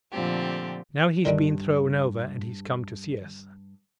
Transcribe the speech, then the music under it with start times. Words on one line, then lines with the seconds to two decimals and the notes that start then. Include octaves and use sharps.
Now he's been thrown over and he's come to see us.
0.13 A#2 D3 F3 A3 C4 G4
1.25 G2 D3 D#3 G3